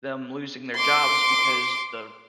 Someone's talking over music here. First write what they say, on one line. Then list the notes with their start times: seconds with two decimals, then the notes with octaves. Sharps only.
them losing their jobs because the
0.76 C6 D6